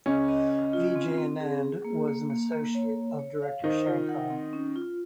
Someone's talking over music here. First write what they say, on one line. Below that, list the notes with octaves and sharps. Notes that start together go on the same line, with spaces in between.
Vijay Anand was an Associate of Director Shankar.
C#3 C#4 D#5
D#5
D#5
F4
C4
C4
G#4
G#4
A#3
A#3
A#3
A#3
C#5
C#5
C#5
F5
D#3 D#4 C5
F4
F#5
C4
C#4
F4